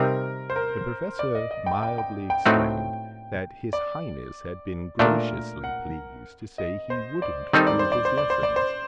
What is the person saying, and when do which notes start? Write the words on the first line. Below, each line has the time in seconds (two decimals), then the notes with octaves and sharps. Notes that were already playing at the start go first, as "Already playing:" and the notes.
The Professor mildly explained that His Highness had been graciously pleased to say he wouldn't do his lessons.
Already playing: C3 G3 C4 D#4 A#4
0.50 C5
0.56 A#4
1.19 D5
1.35 D#5
1.51 D#5
1.66 G5
1.83 G5
1.98 G5
2.30 G5
2.46 A2 A3 C4 D#4 F#4
3.73 D5
4.99 A#2 A3 D4 A#4
5.64 F#5
6.58 D#5
6.90 C5
7.22 D5
7.53 D#3 G3 C4 D#4 A4 C5
7.67 D5
7.79 C5
7.92 D5
8.05 C5
8.18 D5
8.30 C5
8.43 D5
8.56 C5